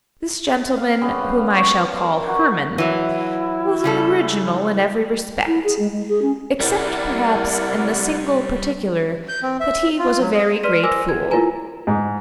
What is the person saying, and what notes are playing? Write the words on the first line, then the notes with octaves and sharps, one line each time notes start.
This gentleman, whom I shall call Hermann, was an original in every respect--except, perhaps, in the single particular that he was a very great fool.
F5
C#3 G3 B3
F5
C#5 D5
A#4
F#3 F#4 F#5
E3 F#3 E4
C#3 G3 A4
E4
G#4
G#3
G#3
G#4
C#4
G3 C4 E4 A#4 D5 F#5
G6
C4
E5
F4
F#3
D#5
B4 D5 C6 F6 B6 D#7
A#4 C5 G#5 D6 E6 A#6
G#6
E4 F4 A#4 B4 G#5 A#5
G#2